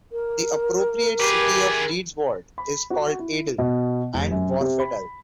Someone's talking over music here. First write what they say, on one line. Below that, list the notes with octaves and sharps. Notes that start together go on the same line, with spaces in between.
The appropriate City of Leeds Ward is called Adel and Wharefedale.
A#4
G4 G#4 B4
B5
F#4
E4
B2
F1
F#2
C3
B5